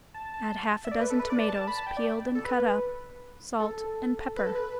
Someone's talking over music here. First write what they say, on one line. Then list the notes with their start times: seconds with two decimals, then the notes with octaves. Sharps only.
Add half a dozen tomatoes peeled and cut up, salt and pepper.
0.14 A5
0.34 A5
0.85 E5
0.92 D5
1.00 B4
1.11 A4
1.19 B4
1.30 D5
1.48 A5
1.67 B5
1.78 A5
1.87 G5
1.97 D5
2.35 A4
2.45 B4
3.60 A4
4.37 B4
4.46 A4
4.55 B4